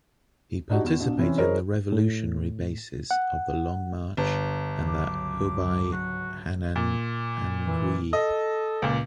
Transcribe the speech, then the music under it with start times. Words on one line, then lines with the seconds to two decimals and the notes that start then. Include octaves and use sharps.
He participated in the revolutionary bases of the Long March and the Hubei-Henan-Anhui.
0.70 D4 D#4 F#4 G4
0.84 E2 E7
0.99 A#1 B2
1.17 C3 E3 C4 C#4
1.38 E4 G#4 A#4 C5 C#5 D#5
1.92 A2
3.11 F#5
4.17 G1
4.87 C#2 G#2 F#3 D6
5.92 F#4
6.76 A#2
7.67 E3
8.13 A4 D#5
8.82 C#2 A#2